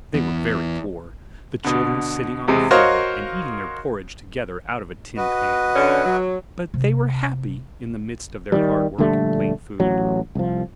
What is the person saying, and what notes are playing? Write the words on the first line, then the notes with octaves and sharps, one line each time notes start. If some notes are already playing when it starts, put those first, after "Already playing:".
They were very poor, the children sitting on the floor and eating their porridge together out of a tin pan; but they were happy in the midst of their hard work and plain food.
E2
B2 D3
E2 C3 G#3
F#4 A#4 C5 C#5 D#5 F5
F#4 B4 D#5
D3 C#4
F#3
C3
D#3 E3 G3
A#1 D3 G3 A3
A1 F#3
C2 F3